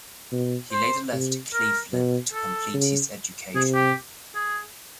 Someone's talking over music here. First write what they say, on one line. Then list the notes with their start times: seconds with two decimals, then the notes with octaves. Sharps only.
He later left Cleveland to complete his education.
0.32 B2
0.72 C5
1.13 C3
1.53 A#4
1.93 B2
2.33 A4
2.74 C#3
3.55 C3 G#4
3.74 G4
4.35 G#4